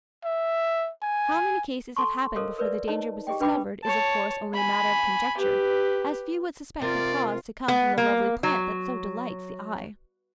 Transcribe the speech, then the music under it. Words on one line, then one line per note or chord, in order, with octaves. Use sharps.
How many cases have happened before the danger was discovered is of course only a matter of conjecture, as few would suspect the cause to come from the lovely plant that so delights the eye.
E5
G#5
A4 A5 C6 C#6
A4 A#4 C5 C#5 D#5 F5
A#4 B4 C#5 D5 E5
D#4 C#5 D#5 A5
G4 G#4 D#5 G5
D4 B4 G5 B5 D6
C#5 A5
G#5 B5
G4 B4
C3 F4 A#4 D5
B3
A#3
F#3